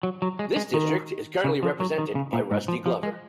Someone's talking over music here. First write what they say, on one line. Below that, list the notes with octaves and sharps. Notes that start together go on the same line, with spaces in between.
This District is currently represented by Rusty Glover.
F#3
F#3
G#3
G#3
D#3
C#3
F3
F#3
D#3
C#3
A#2
G#2
F3
F3
G#3